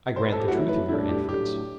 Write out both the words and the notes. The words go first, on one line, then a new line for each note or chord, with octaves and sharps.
I grant the truth of your inference.
C5
B4
A4
G4
F#3 A3 E4 F#4
B4
A2 G3 D4 E4
G4
A2 F#3 A3 D4 G4